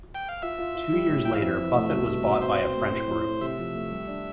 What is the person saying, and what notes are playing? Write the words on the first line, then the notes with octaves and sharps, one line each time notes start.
Two years later Buffet was bought by a French group.
G5
F5
F4 E5
F4
F4
G3
A2
E3 G5
F5
F2 E5
E3
A3
C2
B2
B2
C4 C5
C4
A3
A2
A2
A3
C3 E5
F3
A3
G3
D4